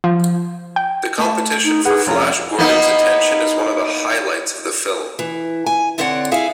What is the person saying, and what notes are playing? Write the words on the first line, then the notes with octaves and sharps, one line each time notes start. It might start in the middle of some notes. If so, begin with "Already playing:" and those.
The competition for Flash Gordon's attention is one of the highlights of the film.
F3
G5
A3 A5
D#4
G#4 B4 F#5
F1 C#4 F4 A#5
A#3 B3 D#4
E3
G#5
D3 C4 E4 C#5 D5 F#5
E4 G#4 E5 F5 G#5